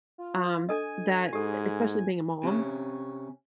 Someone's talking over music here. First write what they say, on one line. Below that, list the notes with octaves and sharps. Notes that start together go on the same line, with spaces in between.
um, that, e especially being a mom,
F4
D4 A4 D#5 G#5
G#2 G4 A4
C3 C#4